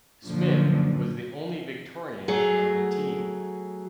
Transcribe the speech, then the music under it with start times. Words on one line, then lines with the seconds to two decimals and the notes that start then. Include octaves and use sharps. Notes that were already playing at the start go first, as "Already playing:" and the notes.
Smith was the only Victorian on the team.
0.25 F#2 A#2 D3 F3
2.28 F#3 A3 G#4